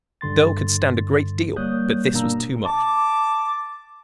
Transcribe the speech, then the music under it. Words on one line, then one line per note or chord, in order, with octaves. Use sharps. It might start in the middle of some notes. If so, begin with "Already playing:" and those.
The girl could stand a great deal, but this was too much.
G2 D3 C6 A6
G3 A#3 C#5 D#6 F#6 G6
G1 B2 A#3 D4 A#5 E6
A5 D6